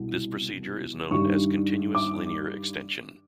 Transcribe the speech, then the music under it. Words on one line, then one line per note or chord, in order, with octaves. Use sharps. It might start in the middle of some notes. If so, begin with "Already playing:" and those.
This procedure is known as continuous linear extension.
Already playing: C2 B2 G3
G2 D#3 G3 C#6
D6